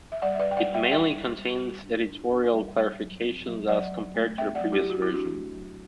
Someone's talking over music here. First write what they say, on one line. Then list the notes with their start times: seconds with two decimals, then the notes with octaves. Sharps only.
It mainly contains editorial clarifications as compared to the previous version.
0.12 E5
0.22 G3 D5 F#5
0.35 E5
0.39 B4 D5
0.45 G3
0.51 G5
0.57 D5 F#5
0.69 G3
0.74 E5 G5
0.84 F#5
0.91 D4 E5 G5
1.15 G3
1.38 G3
1.61 G3
1.84 D4
2.07 D4
2.30 D4
2.53 G3
2.76 G3
3.00 F#3
3.22 C4
3.46 F#3
3.68 F#3 D5 F#5
3.92 F#3
4.15 A3
4.37 C4 E5 G5
4.55 D5 F#5
4.61 F#3
4.72 E4 G4
4.84 F#3
4.90 F#4
5.02 C4 E4
5.14 D4 F#4
5.30 A3
5.53 F#3